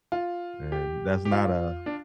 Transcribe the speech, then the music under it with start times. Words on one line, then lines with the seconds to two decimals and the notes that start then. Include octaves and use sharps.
and, that's not a
0.12 F4
0.72 G4
1.25 G4
1.32 F4
1.86 D4